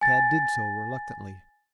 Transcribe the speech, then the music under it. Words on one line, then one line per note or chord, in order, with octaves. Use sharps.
Tad did so reluctantly.
G#5 A6